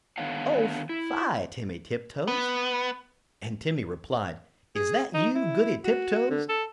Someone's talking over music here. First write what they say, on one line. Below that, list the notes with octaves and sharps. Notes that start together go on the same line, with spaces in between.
Oh fie, Timmy Tiptoes!" And Timmy replied, "Is that you, Goody Tiptoes?
D3 D#3 B3 C#5 F5 F#5
E4
B3
G#4
D#4
E4
F#4
D3
A4